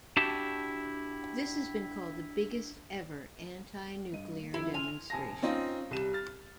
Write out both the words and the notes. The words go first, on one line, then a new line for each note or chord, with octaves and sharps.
This has been called the "biggest ever anti-nuclear demonstration".
D4 E4 F#4 G4 A5
G2 D#5 D#7
A#3
F2 D#3 E4
G#5 C6 F6 D#7 F7
F1 G#5 A5 A#6
C4 C#4 D#4 F4
C2 G3 E7
F6 A6